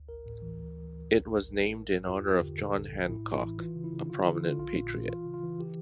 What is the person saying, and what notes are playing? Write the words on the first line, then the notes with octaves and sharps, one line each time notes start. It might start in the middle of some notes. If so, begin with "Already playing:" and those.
It was named in honor of John Hancock, a prominent Patriot.
Already playing: D2
A1 A#4
A2
E3
D2
D2
D2
A1
A1
A1
A1
A1
G2
E2 F4
E2
G4
D3
A#2 A4
A#1
A#1
A2 E4
A1
E4
E3
E3 F4
C#3
E4
C#3
D3 F4
D3 E4
D3 F4
A#1 F4
A#2
A#2
E3 F4
C#3
F4
E3
E3 G4